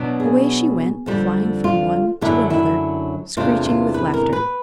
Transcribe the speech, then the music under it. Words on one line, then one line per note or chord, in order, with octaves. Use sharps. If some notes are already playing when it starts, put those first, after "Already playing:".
Away she went, flying from one to another, screeching with laughter.
Already playing: B2 F#3 B3 D4
G#4
F2 D3 G3
F4
F#2 D3 F#3 A3 D4 E4
E4
E2 C3 E3 A3 D4 F4
F4
B4
A#4
B4